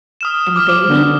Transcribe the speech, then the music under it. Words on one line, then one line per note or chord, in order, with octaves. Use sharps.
And the baby?'
D#6 F6 E7
D6 F6
D3